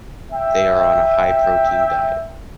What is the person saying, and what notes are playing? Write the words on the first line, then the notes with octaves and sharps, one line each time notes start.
They are on a high protein diet.
E5 G5